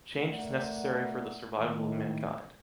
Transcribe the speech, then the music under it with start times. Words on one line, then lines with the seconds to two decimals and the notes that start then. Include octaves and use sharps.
Change is necessary for the survival of mankind.
0.21 A3 A#4 D5 F#5
1.59 A2 D#3